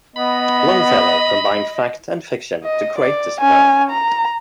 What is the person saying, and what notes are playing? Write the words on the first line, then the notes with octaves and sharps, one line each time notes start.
Longfellow combined fact and fiction to create this poem.
B3 D#5 B5
D#5
D5
C#4 G#5
A#5